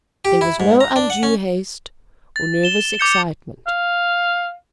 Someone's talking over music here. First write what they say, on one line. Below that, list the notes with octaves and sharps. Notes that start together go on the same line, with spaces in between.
There was no undue haste, or nervous excitement.
G4
E4
G#2
A#5
D4
F#5
C#4
A6
E7 G7
D6 G6 C#7
F5